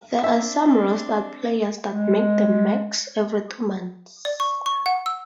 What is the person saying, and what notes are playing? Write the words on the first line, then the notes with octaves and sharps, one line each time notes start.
There are some rostered players that make the max every two months.
C4 D4 E5
G#3
D5
C#6
C#6
F#5
E6